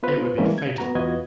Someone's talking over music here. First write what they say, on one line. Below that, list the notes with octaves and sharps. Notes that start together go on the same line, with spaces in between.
It would be fatal.
B3 F4 B4 C5
E3 G3 G#3 A#3 C4 C#4
G#6
B3 F#4 A#5
E2 B3 F4 F#4 D#5 G#6